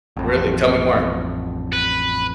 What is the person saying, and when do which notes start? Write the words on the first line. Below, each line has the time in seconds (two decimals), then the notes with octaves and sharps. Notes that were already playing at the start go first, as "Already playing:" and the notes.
Really? Tell me more.
0.17 A1 F2
1.73 B4